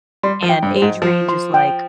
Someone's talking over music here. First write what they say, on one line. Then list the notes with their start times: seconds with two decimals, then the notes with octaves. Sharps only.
and age range is, like,
0.23 G3 C6
0.43 F3
0.49 G5
0.63 G2
0.76 C5
0.82 G#2
1.02 F3 C5
1.29 C6
1.54 G5